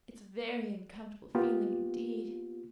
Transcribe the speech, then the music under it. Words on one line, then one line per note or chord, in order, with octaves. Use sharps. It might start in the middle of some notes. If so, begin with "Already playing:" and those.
It's very uncomfortable feeling indeed.
A#3 B3 F4 G4